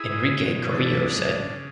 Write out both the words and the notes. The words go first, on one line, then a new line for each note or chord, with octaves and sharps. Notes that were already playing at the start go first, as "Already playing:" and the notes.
Enrique Carrillo said.
Already playing: E4 G#4
G#3
B2
E3 D4
G#3
C#3